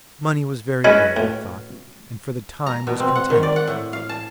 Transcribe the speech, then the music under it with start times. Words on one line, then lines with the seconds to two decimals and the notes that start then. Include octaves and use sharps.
Money was very good, I thought, and for the time was content.
0.84 G#3 C#4 E4 F#4 B4 D#5
1.17 A2
2.66 A#5
2.87 B2
3.00 C4
3.15 F#5
3.30 D#3
3.43 D5
3.56 F#5
3.67 A2
3.93 F5
4.09 A5